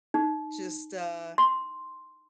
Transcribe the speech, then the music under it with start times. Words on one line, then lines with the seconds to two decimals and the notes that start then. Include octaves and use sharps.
just, uh
0.14 D#4
1.38 C6